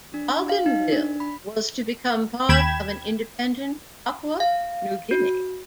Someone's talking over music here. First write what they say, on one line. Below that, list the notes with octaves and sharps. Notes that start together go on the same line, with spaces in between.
Bougainville was to become part of an independent Papua New Guinea.
D4
F5
D#4
D4
B5
D#2 G5 B5 G#6 E7
F5
F#4